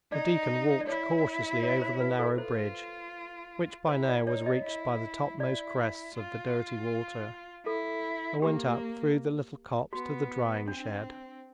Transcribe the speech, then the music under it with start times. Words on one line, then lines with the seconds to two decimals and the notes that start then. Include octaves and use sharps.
The deacon walked cautiously over the narrow bridge, which by now was reached by the topmost crests of the dirty water, and went up through the little copse to the drying-shed.
0.12 D#4 D5
0.81 D5
0.87 E4 C#5
1.63 C#5
1.82 C5
2.00 B4
2.19 A4
2.38 F4 C5
3.89 E4 C5
4.08 D5
4.27 D#4 C#5
4.46 D#5
4.65 E4
5.40 E4 D5
6.15 F4
7.66 E4 A4
8.42 A#3 G4
9.93 B3 F#4
10.68 C4 D4